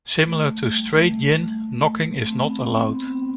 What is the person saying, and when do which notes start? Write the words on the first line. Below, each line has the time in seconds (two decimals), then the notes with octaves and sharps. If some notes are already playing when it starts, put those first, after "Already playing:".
Similar to Straight gin, knocking is not allowed.
0.23 A3
0.39 A3
0.56 A3
0.72 G3
0.88 A3
2.18 A3
2.26 C4
2.34 B3
2.43 C4
2.50 B3
2.67 C4
2.83 C4
2.95 B3
3.06 C4